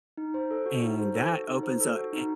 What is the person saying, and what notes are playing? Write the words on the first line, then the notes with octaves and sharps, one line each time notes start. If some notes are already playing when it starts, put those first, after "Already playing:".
And, that opens up eh
D#4
C5
A4
F#4
D#4
C5
A4
F#4
D#4
C5
A4
F#4
D#4